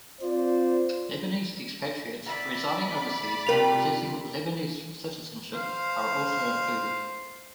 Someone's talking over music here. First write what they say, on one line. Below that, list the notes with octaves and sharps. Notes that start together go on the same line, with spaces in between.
Lebanese expatriates residing overseas and possessing Lebanese citizenship are also included.
C4 F4 C5 D5
B3 E4 D5 B5
C3 G3 F4 A#4 F7
C5 F5